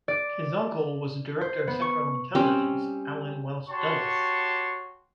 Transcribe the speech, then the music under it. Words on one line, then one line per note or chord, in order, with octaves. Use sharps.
His uncle was Director of Central Intelligence Allen Welsh Dulles.
D5
C5
B3
C#6
G3 C4 C#4
F#4 G4 C#5 A5 C6